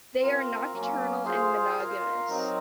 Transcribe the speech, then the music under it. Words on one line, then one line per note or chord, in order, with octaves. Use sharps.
They are nocturnal and monogamous.
C4 F4 A#4
F#3 A#3 C#4
F4 G#4 C5 F5
F4 A#4 F5
F#3 C4 D#4 A#4